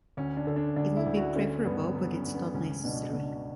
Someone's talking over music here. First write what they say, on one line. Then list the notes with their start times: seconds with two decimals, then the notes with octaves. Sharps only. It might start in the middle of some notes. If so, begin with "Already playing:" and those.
It would be preferable, but it's not necessary.
0.17 D2 C#4
0.37 D4
0.47 D3
0.56 D4
0.76 D2 D4
0.97 E4
1.06 D2
1.16 F#4
1.35 D3 C#4
1.65 G2 B3
1.87 C#4
1.95 F#3 B3
2.14 C#4
2.24 G2
2.35 B3
2.54 C#2 C#4
2.84 B2 D4
3.13 B2 D4